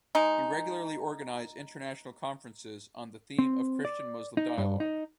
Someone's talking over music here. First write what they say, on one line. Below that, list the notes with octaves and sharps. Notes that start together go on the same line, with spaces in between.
He regularly organized international conferences on the theme of Christian-Muslim dialogue.
G#3 D#4
C4
D5
D#4
G2
D#4